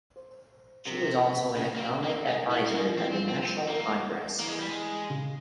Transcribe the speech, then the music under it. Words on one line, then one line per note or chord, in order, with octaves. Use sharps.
She was also an economic advisor at the National Congress.
C5
C3 A#4
C5
A#4
C#3
A#3
C4
A#3
G#3 A#4
E4
G3
A#3 E4
G#3
G3
F3
E3 C4
F3
C4
C4
C4
A#3
E3 A#3
G#3
G3
G#3
C#3